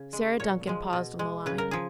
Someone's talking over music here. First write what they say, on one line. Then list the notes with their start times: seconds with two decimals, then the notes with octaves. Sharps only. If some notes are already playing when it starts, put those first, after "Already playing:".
Sarah Duncan paused on the line.
Already playing: C#3
0.13 G#3
0.40 A#2 C#5
0.67 F3 G#3
0.93 B2
1.19 G#3
1.46 C#3 B4
1.58 A#4
1.71 F3 G#4